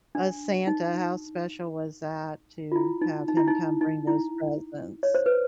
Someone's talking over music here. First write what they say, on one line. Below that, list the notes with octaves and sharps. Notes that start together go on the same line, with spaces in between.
a Santa, how special was that to have him come bring those presents.
D4
D#4
F4
E4
D#4
D#4
E4
D#4
D#4
E4
C#5
C5
B4